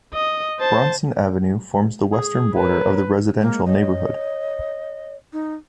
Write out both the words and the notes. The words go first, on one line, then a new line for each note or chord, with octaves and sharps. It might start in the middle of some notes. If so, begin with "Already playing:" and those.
Bronson Avenue forms the western border of the residential neighbourhood.
D#5
C5 A5
G#4
F#3 A#4 B4
G#3 A#3
C#5 D#5
D#4